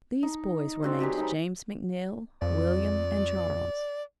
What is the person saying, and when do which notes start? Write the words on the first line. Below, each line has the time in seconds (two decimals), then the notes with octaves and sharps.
These boys were named James McNeill, William, and Charles.
0.23 D#4
0.83 C4 F#4 D5
0.99 F#3 G4 G#4 B4
1.17 D#4 B5 C6
2.42 F2 D5